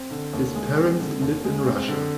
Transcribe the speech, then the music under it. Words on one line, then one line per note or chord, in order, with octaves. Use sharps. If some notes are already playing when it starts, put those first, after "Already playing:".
His parents live in Russia.
Already playing: C4
D3
D#2
G#3
C4
D3
D#2
G#3
C4
D3